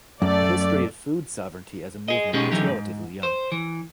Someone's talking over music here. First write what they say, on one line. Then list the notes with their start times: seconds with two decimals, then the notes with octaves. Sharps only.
The history of food sovereignty as a movement is relatively young.
0.22 F#2 A3 A4 D5
2.08 G#4 D#5
2.33 B2 G#3 C#4 D#4 G4 G#4
2.51 D3 E3 F#3 D#4 G4
2.68 G#2
3.23 C5
3.52 E3